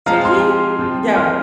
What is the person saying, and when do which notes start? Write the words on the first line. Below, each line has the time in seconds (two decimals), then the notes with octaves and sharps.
Did he? Yeah.
0.06 F3 G#3 C4 F4 F5 A#5
0.25 C6 F6
0.79 F3 C4 F4
1.15 C6 F6